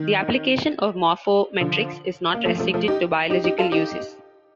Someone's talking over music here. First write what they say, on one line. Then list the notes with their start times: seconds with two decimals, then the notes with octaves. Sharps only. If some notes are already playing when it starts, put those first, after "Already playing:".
The application of morphometrics is not restricted to biological uses.
Already playing: D#3
1.60 D3 F3
2.34 A#3
2.45 F3 A3
2.60 F3 A3
2.74 F3 A3
2.88 D#4 G4
3.30 D#4 G4
3.44 D#4 G4
3.58 F4 A4
3.72 D#4 G4